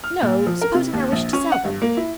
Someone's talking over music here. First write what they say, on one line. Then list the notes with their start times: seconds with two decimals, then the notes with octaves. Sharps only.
"No; supposing I wished to sell them."
0.04 F6
0.22 A#2
0.47 F3
0.62 A#4
0.75 C3
0.93 D#2
1.12 A#1
1.33 C#4
1.52 F#5
1.65 G2
1.82 A#3
1.97 E4